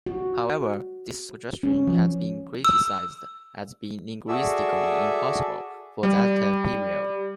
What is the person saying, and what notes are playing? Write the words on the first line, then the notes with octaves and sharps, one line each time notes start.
However, this suggestion has been criticized as being "linguistically impossible" for that time period.
F#4
C#4
F3
E6
F#4 G#4 A4 D5 E5 E6
G3